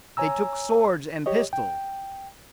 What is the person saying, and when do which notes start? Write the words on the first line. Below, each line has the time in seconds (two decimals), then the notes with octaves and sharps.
They took swords and pistols.
0.17 C#5 G#5 A#5 E6
1.26 G4 C#5 D#5
1.53 G5